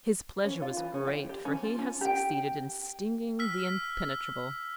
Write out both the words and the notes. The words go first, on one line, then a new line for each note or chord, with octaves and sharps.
His pleasure was great, for he had succeeded in stinging the impenetrable.
C#4
F4
E3
C#4
G5
G4
C#4
F4
C#4
G4 G5
E6 F6 B6